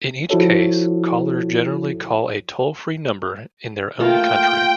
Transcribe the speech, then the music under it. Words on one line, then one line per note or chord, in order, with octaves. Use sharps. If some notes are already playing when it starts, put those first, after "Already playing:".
In each case, callers generally call a toll-free number in their own country.
F3 E4 F#4 A4 C#5
A3 A#3 F4 G5